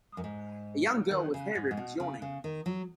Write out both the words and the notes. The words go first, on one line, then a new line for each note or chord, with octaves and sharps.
A young girl with hair ribbons yawning.
F#2
G#2
D#3
C#3
G#2
G#2
B2
C#3
C#3
D#3
F#3